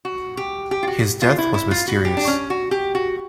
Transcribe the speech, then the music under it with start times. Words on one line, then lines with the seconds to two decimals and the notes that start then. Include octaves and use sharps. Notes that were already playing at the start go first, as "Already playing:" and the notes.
His death was mysterious.
0.05 F#4
0.37 G4
0.71 G4
0.83 F4
0.87 F#4
1.22 F4
1.38 E4
1.54 E4
1.71 F4
1.88 F#4
2.05 G4
2.17 D4
2.27 C#4
2.50 F#4
2.71 G4
2.95 F#4